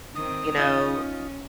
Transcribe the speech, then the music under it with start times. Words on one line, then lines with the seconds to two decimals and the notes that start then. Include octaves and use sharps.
you know,
0.15 D#3 C4 D#6
0.58 C#4 D#4 F4 D#5